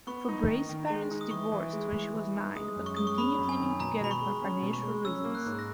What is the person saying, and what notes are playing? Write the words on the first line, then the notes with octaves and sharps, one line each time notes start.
Fabray's parents divorced when she was nine, but continued living together for financial reasons.
B3 C#6
D#4
D#3
D#3
G#3
D#4
D#6
E3 C#6
E3
G#3
E3
E3
D#4
G#3 D#6
F#2
C#6
G#3 D#6
C#6
C#4 B5
F#2
G#5
D#3
B2 A#5
B2 B5
C#6
G#3
C#4
B2
C#6
G#3
C#4 E6
A#3
F#6
G#2
A#6